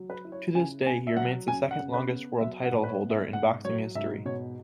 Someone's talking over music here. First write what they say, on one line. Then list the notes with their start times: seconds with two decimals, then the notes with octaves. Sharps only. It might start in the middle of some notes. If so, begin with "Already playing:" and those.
To this day he remains the second longest world title holder in boxing history.
Already playing: F#3
0.10 B4
0.25 E4
0.32 C#5
0.55 C#3 G#5
0.86 B3 G#5
1.07 E5
1.17 F#3 F#5
1.48 F#2 G#5
1.71 F#5
1.79 C#3
1.94 B4
2.10 B3
2.40 F#3 E5
2.63 F#5
2.71 G#2
2.84 B4
2.87 C#5
3.02 B3
3.10 E5
3.33 G#2 F#5
3.65 F#3 C#5
3.95 G#2 E5
4.25 B2 C#5